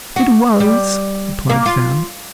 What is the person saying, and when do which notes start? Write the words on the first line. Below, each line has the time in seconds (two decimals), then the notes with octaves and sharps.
"It was," replied Fan.
0.16 F#4
0.60 G3
1.50 A#3
1.66 F4